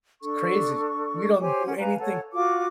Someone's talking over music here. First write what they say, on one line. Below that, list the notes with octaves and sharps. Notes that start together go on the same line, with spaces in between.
It's crazy. We don't do anything
D4 A4 C#6
G4 C5 C#5 G#5
C#4 F#5
B4 F5 G#5 A#5
A4 C#5 F#5 A5
F4 F#4 D6